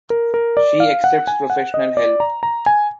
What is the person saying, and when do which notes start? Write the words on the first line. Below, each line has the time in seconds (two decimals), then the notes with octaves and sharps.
She accepts professional help.
0.10 A#4
0.34 A#4
0.57 D5
0.80 F5
1.04 F#5
1.27 G#5
1.50 F#5
1.74 D#5
1.97 D5
2.20 A#5
2.43 A#5
2.66 G#5